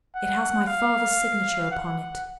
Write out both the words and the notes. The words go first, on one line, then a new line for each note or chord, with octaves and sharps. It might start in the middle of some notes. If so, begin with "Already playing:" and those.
"It has my father's signature upon it."
F#5
F5
F#5